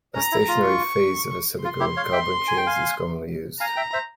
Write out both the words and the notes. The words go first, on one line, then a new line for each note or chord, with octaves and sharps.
A stationary phase of silicon with carbon chains is commonly used.
C#4 A#5
E4
F4
C#6
F4 C6
E4 G4
C#5 F5
E5 G5
G#5
G5
F5 G#5
F5 G#5 A#5
E5 G5
C5 E5